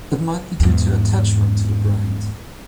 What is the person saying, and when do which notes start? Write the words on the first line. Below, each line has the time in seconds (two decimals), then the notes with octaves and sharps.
It might be due to attachment to the brand.
0.60 E2 G#2